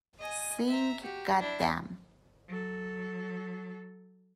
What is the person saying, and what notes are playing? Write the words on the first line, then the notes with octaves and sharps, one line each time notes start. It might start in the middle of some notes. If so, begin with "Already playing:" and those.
Sing: Goddamm.
D#5 G#5
E5 A#5
F#4 G4
D4 E4
F#3 A4